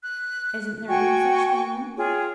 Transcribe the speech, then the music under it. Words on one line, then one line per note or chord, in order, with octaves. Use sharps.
"Isn't there any such thing, then?"
F#6
F#4 G5 G#5 C#6
F4 G#4 C#5 G5